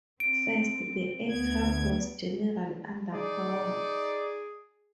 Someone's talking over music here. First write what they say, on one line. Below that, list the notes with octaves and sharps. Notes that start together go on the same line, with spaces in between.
First, the aircraft was generally underpowered.
C4 D7
D2 B3 G#6
D#4 G#4 D5